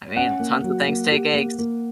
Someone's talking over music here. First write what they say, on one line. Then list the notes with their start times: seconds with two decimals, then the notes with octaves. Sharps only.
I mean, tons of things take eggs.
0.16 C#4 F#5
0.40 A#3
0.64 F#3
0.88 A#3
1.11 G4
1.34 A#3
1.59 A#3